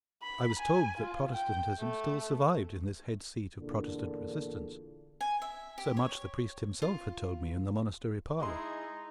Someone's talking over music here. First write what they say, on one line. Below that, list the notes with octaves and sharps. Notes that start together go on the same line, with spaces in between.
I was told that Protestantism still survived in this head seat of Protestant resistance; so much the priest himself had told me in the monastery parlour.
B5
G#5
F4
G5
A3
E2 A#2 D3
G#5
E5
G4
C#5
F4
G#3 D#4 E4 G#4 C6